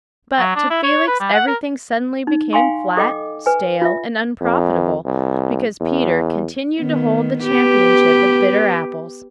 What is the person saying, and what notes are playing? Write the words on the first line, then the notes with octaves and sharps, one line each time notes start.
But to Felix everything suddenly became flat, stale, and unprofitable, because Peter continued to hold the championship of bitter apples.
F#3
D4
E4
C#5
B4
G3
F#5
A#4
D#4
F5 G5 G#5 C6 C#6
A4 D#5 G5 D6
B4 G#5
F4 E5
F2
C2
E2
D#3 B3
B3 G4 B4